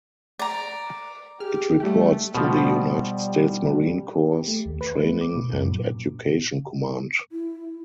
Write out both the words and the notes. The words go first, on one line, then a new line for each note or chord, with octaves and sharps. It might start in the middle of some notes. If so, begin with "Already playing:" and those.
It reports to the United States Marine Corps Training And Education Command.
D5 A#5
G4 G#4 F6
G3 A3 G4
B2 F3 G3
G4
A3
D#2
B4
A3
D6
B2
F#2
A#2
E4